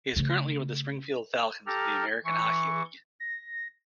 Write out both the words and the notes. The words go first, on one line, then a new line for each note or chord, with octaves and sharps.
He is currently with the Springfield Falcons of the American Hockey League.
C#3 A3
G4 A4 A#5 F6
E3 C#6
A#6